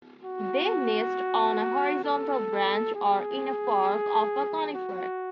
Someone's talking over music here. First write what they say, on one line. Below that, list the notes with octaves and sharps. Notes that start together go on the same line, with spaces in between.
They nest on a horizontal branch or in a fork of a conifer.
F#4
A4
G#4
F#4